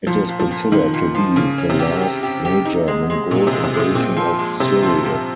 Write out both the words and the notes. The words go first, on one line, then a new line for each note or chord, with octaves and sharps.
It is considered to be the last major Mongol invasion of Syria.
A#2 F3
A#2
F3
A#2
A#2 D#3
A#2
F3
C#3 A#3
C#4
C3
G4
G4
G4
G4
D#4
G#3
G#3
A#2 D#4
C3
G#3
C3
G#3
C3
A#2 C4
F3
G#3
C3 G#3
F3
F3